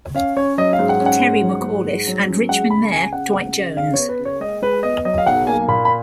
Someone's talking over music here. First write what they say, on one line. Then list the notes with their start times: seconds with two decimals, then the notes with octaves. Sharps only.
Terry McAuliffe and Richmond Mayor Dwight Jones.
0.14 C#4 F5
0.37 C#4 C#5
0.58 F#3 D#5
0.73 F5
0.79 G#2
0.89 F#5
1.00 C#4
1.06 F#5
1.22 G#2
1.43 F#3
1.64 G#2
1.85 G#2
2.07 F#3
2.27 C#4
2.49 G#3 F#5
2.70 C#3 B5
2.92 C#2 G#5
3.13 C#3 F#5
3.34 C#2
3.56 C#3
3.77 C#2 F5
3.94 B3 C#5
4.09 B4
4.19 C#3
4.25 C#5
4.40 G#3 D#5
4.62 G#3 B4
4.83 B3 D#5
5.05 F#3 D#5
5.18 F5
5.26 B1 F#5
5.47 A#3 G#5
5.68 A#2 B5
5.85 B5